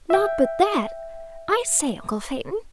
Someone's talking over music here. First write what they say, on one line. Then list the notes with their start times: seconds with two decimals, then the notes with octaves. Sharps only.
"Not but that--I say, uncle Phaeton?"
0.10 E5 G5